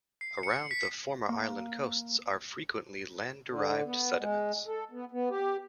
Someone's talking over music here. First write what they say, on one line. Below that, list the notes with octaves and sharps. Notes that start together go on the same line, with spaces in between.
Around the former island coasts are frequently, land-derived sediments.
C7
C#7
B6
A#3
D3
B3
G#3
A4
B3
B3
G4